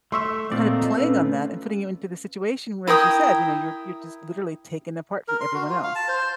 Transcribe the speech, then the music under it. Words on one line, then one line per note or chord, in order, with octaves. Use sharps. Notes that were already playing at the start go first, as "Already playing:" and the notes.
kind of playing on that and putting you into the situation where- as you said- you know, you're you're just, literally, taken apart from everyone else.
A3 E5 C6 C#6 E6
A#2 A3 C4 F4 D5 D#5 A#5
C#4 B4
E4 A#4 G5 D#6
A#4
C6
F#4
F4
F5
A5
C5